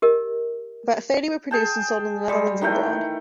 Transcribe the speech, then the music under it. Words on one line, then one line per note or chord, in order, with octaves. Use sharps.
About thirty were produced and sold in the Netherlands and abroad.
G4 A#4 D#5
G#4 G5 A5
G3 G#3
D#3 E3 A3 G5